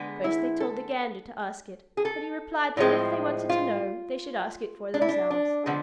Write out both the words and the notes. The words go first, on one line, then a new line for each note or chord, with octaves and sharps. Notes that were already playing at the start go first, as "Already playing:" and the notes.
First they told the Gander to ask it, but he replied that if they wanted to know, they should ask it for themselves.
Already playing: D3 G#3 B3 B4
E4
A4
G#4
A4
A2 F3 G#3 C4
F4
D4
E4
D4
D4
D3 F3 G#3 B3